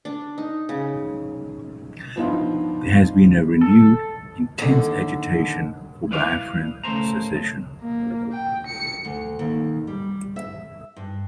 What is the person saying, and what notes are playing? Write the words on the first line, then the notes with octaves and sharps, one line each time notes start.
There has been a renewed, intense agitation for Biafran secession.
D4
D#4
C#3
F3 B3 D4 D#4 F4
A4
D#2 D3
E4 B4 D5 F5
C#3 A3 A#4 C5 A#5
A#3
G5
C#7
D2
D#2
G3
E5
G2